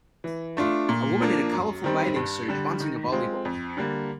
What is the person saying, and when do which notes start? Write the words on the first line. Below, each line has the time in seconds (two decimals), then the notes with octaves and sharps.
A woman in a colorful bathing suit, bunting a volleyball.
0.24 E3
0.57 A3 D4 F4
0.89 A#2
1.20 F3 A#3 D4
1.52 F#2
1.84 D#3 G3 C4
2.16 G2
2.48 D3 G3
2.80 D#3
3.12 G#3 C4 F4
3.45 F2
3.77 D3 G3 A#3